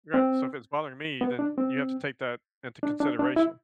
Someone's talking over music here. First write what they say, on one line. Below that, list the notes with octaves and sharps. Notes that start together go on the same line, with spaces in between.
Right, "So if it's bothering me, then you have to take that into consideration."
C4
B3
D4
C4
D4
D4
D4
E4